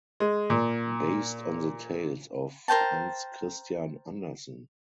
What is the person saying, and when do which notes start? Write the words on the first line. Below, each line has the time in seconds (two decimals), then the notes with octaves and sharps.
Based on the tales of Hans Christian Andersen.
0.20 G#3
0.50 A#2
2.68 A#4 C5 G5 A5